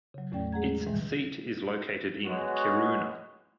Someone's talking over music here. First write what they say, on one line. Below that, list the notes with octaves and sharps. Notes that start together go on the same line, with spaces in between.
Its seat is located in Kiruna.
C#3 F#3
E2 A2 A3 C#4 D5 G5
G#3 G#4 F#5 A#5 G#6
G#2 B2 D#3 E3 G3 G#3
G#3 B3 F#4 C#5